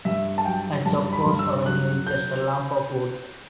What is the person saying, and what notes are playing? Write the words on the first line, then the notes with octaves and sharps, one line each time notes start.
A "chock" was originally just a lump of wood.
G2 E5
A5
F#3 G5
G2 A5
B5
G2
E6
F#3 F#6
G6